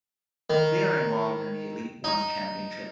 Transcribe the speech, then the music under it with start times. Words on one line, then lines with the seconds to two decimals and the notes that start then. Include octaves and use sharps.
They are involved in the Elite One Championship.
0.50 D#3
2.04 D#4